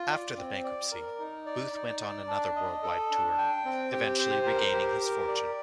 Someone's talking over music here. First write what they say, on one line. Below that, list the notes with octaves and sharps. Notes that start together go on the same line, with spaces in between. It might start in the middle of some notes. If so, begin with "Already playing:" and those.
After the bankruptcy, Booth went on another worldwide tour, eventually regaining his fortune.
Already playing: F4
D5
C4
D5
A#4
D#4
D5
D#4
D5
D4
D#5
A4
D4
G5
C4
G4
C5
A#4
G4
A#4
D5